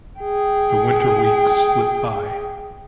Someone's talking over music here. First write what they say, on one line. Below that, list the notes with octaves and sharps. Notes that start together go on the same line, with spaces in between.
The winter weeks slipped by.
G#4 G5